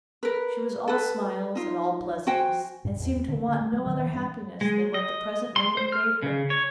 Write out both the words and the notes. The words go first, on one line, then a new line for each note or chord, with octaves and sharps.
She was all smiles and all pleasantness, and seemed to want no other happiness than what the present moment gave her.
A#4 B4
A4 B4
D#4 F4
F#4 C5 G5 G#5
G2
E2
C4
D3
A#3
A3
F#3
D#3
E3
G2
G#3
D#5
C6
C5
F6
C#3
C#5